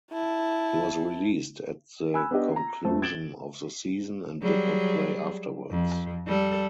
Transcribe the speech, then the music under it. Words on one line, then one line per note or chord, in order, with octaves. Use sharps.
He was released at the conclusion of the season and did not play afterwards.
E4 A5
G#5 B5 E6 F#6 G#6
B3 D4 G4 D#5
A#5
F2 A3 C4 A5
G#6 A6 D7 E7 F#7 G7
F#3 G3 G#4
F2
G3 A4